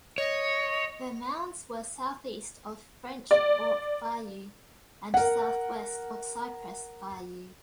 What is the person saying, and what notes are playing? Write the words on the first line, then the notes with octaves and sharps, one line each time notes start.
The mounds were southeast of French Fork Bayou and southwest of Cypress Bayou.
C#5 D#5
D5
A#4 F#5